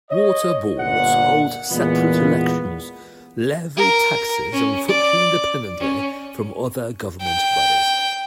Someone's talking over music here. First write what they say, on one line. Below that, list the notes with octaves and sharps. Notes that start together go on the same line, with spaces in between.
Water boards hold separate elections, levy taxes, and function independently from other government bodies.
C#5 D#5
G1 A#2 F#5
E2 A#2 E3 G#3 B3
A#4
C#4
D5
C#4
G5